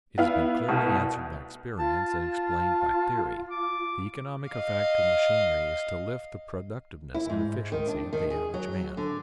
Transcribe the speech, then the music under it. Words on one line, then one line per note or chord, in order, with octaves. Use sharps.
It has been clearly answered by experience and explained by theory: the economic effect of machinery is to lift the productiveness and efficiency of the average man.
B3 E4 F5
C2 B2
F4 A5
D6
D#5 F5
E4
G#2
D#3
D4
D#3
G#4
F#3
D3